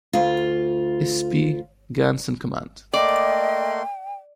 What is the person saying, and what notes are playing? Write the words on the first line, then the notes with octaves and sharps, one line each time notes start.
S. P. Gantz in command.
D2 F4
A3 A#3 D5 D#5 G5 C6